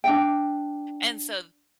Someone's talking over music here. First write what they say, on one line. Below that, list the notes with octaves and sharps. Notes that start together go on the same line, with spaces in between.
and so
D4 G5